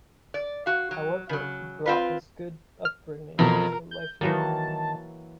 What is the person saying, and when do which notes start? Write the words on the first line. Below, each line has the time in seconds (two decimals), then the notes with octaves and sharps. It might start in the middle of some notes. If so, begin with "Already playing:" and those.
However, he brought his good upbringing into a life of crime.
0.34 D5
0.66 F#4 F5
0.91 F#3
1.29 C#3 F#3
1.86 C4 F4 B4
2.85 F6
3.39 F2 B2 E3 A#4
3.91 G6
4.21 D#3 E3 F#3 A#3 A5